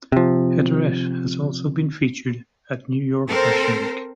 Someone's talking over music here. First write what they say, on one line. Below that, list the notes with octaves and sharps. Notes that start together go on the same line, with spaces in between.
Heatherette has also been featured at New York Fashion Week.
C3 F3
C4 A4 A#4 C5